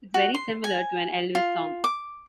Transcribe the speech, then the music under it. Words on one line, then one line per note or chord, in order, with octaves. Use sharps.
It's very similar to an Elvis song.
F#4
C6
G#5
F4
D6